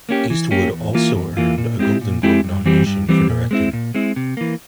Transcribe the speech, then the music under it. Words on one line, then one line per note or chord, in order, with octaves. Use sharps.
Eastwood also earned a Golden Globe nomination for directing.
A#3 C#4 G4
E3
A#3 C#4 G4
E2
E3 A#3 F4
E2
E3 A#3 F4
A#2
G#3 C4 E4 G4
A#2
G#3 C4 E4 G4
G2
E3 G3 C4 G4
G2
E3 G3 C4 G4
A#2
G#3 C4 E4
A#2
G#3 C4 E4
C3
E3 A#3